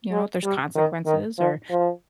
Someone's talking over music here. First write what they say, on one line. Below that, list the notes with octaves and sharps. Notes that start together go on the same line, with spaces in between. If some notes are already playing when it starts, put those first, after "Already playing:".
you know, if there's consequences or
G#3
G3
D#3
D#3
F3
F3